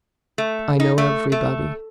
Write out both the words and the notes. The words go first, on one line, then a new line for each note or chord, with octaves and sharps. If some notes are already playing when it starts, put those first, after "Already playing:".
I know everybody.
A3
D#4
A3
A3